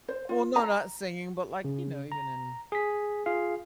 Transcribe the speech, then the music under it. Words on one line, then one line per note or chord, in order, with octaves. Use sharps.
Well, no, not singing, but, like, you know, even in
C5
F4
A#5
C#3
A#5
G#4 B6
F4 G#4 F5